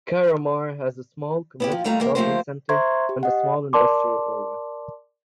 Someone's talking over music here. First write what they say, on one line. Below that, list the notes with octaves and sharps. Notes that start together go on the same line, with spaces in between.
Carramar has a small commercial shopping centre, and a small industrial area.
B3 E4 G4
F3
D#2 G3 A3 F4 A#5
E2 G#2 A#3 G4
C3 F3 A3 A#3 G4 C5
C5 E5 A#5 C6 C#6 G#6
G4
D#5 F#5
A#4 D5 A5 C6 D6